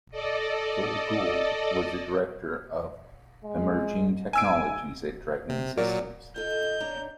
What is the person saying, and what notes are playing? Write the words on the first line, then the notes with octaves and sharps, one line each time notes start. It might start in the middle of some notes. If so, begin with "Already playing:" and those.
Joel Gould was the director of emerging technologies at Dragon Systems.
A4 D5 D#5
G#3
G#2 G#5 E6 D7
C3
A#2 F#3 A#4 D5
F4 A4 D#5 G6
D4 C#5 A#5